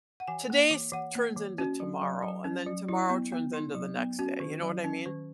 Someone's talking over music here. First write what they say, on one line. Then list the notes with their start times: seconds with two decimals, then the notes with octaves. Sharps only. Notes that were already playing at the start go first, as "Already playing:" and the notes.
today's turns into tomorrow, and then tomorrow turns into the next day, you know what I mean?
0.20 F#5
0.27 E3 G#5
0.50 A#3
0.71 E3
0.92 E3 F#5
1.15 A#3
1.36 E3
1.58 C#4 F#4
1.80 F#3
2.01 F#3
2.23 F#3
2.44 C#4
2.66 F#3
2.89 F#3 E4
3.10 B3
3.32 B3
3.53 D#4
3.75 F#3
3.96 B3
4.19 C#4 F#4
4.40 D#3
4.62 F#3
4.84 C#4
5.05 D#3